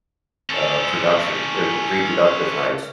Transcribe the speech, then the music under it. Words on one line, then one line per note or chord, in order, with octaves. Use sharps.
uh, production eh, re reproductive rights
C#4 A4